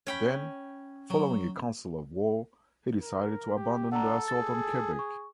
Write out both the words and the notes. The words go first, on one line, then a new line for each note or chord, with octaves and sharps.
Then, following a council of war, he decided to abandon the assault on Quebec.
C#4 G5 B5
F#3
A#4
G4
D4 A4 F#5 A#5
G#4 A6
C#6